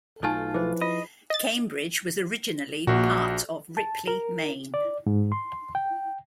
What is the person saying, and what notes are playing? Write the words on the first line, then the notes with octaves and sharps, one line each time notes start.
Cambridge was originally part of Ripley, Maine.
B1 A3 D#4 F4 G#5 A5
F3 E4 G#4 B4 C5
F4 D#5
D#5 A6
A#1 A#2 F#4
A5
A#4
D5
G#2
C6
G5